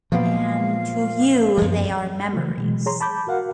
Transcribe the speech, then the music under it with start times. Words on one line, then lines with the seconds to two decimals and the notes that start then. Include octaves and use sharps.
And to you they are memories.
0.12 A#2 F3 F#3 A#3 B3 F5
1.58 F#2 F3
2.33 C#3 E3 F#3 A3
2.57 B2 E3 F#3 G#3
2.86 G#4 C#5 A#5 C6
3.01 A5 B5 D6 G6
3.27 F#4 A#4 F5 F#5